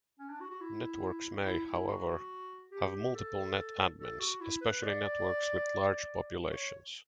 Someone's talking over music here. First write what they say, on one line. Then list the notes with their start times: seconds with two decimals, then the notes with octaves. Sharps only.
Networks may, however, have multiple netadmins - especially networks with large populations.
0.19 C#4
0.30 D4
0.40 F#4
0.51 F#4
0.61 E4
1.45 E4
1.66 E4
1.88 F#4
2.72 G4
3.14 A4
3.98 A4
4.20 F#4
4.41 E4
4.61 B4
4.83 D5
6.51 C#5